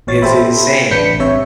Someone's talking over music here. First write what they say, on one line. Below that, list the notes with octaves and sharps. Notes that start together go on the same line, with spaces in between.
It's insane
A1 A#2 C#5 A6
G4 A4 C5 E5 B5
A1 D4 B4 G6 B6 C#7
C2 C3 C#5 E5